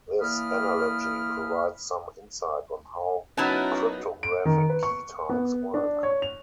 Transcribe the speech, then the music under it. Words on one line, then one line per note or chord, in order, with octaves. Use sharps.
This analogy provides some insight on how cryptographic key types work.
E3 A#3 D5 B5 D#6 F6
F#3 B3 C#4 D#4 E4 F#4 A#4 A5
D7
D#3
B4
C#6
B3
D4
C#5
F7